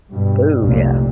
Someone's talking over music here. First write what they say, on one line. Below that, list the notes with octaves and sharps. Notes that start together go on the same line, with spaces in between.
Ooh, yeah.
G2 B2
F1 C2 A#2